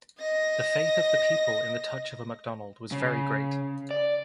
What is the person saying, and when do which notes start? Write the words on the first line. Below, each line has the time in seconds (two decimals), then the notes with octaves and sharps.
The faith of the people in the touch of a Macdonald was very great.
0.18 D#5 A#6
2.92 C#3
3.91 D5